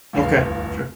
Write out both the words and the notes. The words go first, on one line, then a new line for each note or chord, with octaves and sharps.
Okay, sure.
D1 G1 E2 F5 C7